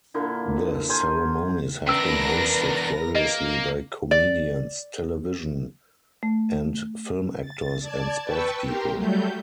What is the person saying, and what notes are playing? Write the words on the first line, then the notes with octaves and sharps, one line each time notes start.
The ceremonies have been hosted variously by comedians, television and film actors, and sportspeople.
A#2 D3 A#3 E4
A4 A#4 C5 G#5
E2 C#4 D4 A#4 B4 E6 A#6
A#3 D#5
D5
A3
A6
D5 A5 G#6
B4 G5 A5 C#6 E6
G4 A#4 G5 C6
F#3 G3 A3 G6